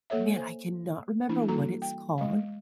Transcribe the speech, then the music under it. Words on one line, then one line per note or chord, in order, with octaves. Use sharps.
man, I cannot remember what it's called,
A#3 A4 C#5 E5
C5 G#5
E3 A#3 D4 E4
G3 A#3 F#4 A4 A#5
G5
G#3 F5